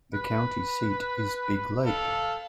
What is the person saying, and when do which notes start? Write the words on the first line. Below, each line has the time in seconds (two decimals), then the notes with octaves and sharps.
The county seat is Big Lake.
0.14 B4
1.86 A4 F5